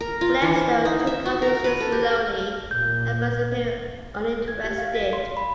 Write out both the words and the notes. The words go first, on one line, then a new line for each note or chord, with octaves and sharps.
Gladstone took up the issue slowly, at first appearing uninterested.
A#4
F4
E3
C5
D#4
E5
F#4
A#4
B4
A4
G4
A#2 A#3 G6
G#6
G4
F5
B6
C6
B5